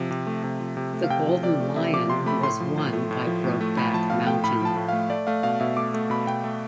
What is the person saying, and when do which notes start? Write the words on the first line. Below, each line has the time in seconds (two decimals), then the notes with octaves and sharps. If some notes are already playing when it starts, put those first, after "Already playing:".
The Golden Lion was won by Brokeback Mountain.
Already playing: C3 F3
0.11 C3
0.27 A3
0.44 C3
0.60 F3
0.77 C3
0.94 A3
1.04 F5
1.10 C3 G5
1.27 F3
1.43 C3 D5
1.60 A3
1.76 C3 E5
1.93 F3 D6
2.10 C3 C6
2.26 A3 B5
2.43 A2 C6
2.60 F3
2.77 A2
2.93 A3
3.11 A2
3.27 F3
3.44 A2
3.61 A3
3.77 A2 B5
3.94 F3 A5
4.10 A2 F5
4.26 A3 G5
4.44 A2 B5
4.61 F3 A5
4.76 A2
4.89 A3 F5
5.10 A3 D5
5.27 A3 F5
5.43 B2 F5
5.60 B2 E5
5.77 A3 D6
5.94 A3
6.10 B2 B5
6.27 B2 G5
6.44 A3